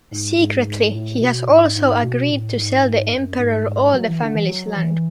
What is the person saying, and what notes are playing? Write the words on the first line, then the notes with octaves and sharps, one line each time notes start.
Secretly, he has also agreed to sell the Emperor all the family's land.
G#2
G#2
G#2
A2
B2
G#2
G#2
B2
A2
G#2
G#2
F#2
G#2
G#2
F#3
E3
D3
E3
F#3
F#3
E3